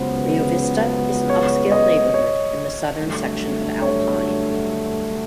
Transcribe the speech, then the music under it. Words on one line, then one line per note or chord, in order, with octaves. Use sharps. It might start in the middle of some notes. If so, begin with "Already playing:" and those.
Rio Vista is an upscale neighborhood in the southern section of Alpine.
Already playing: C#2 C#3 F#3 B3 C5
C#5
D#5
C#5
G2 D3 F#3 A3
C#5